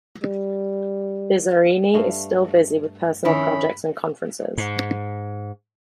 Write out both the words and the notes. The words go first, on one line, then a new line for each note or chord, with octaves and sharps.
Bizzarrini is still busy with personal projects and conferences.
G3
G2 A3 F5
F2 D#3 C#4 E4 B5
G#2